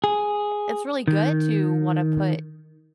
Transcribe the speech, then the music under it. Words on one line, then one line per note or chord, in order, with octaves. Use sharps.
it's really good to wanna put
G#4
D#3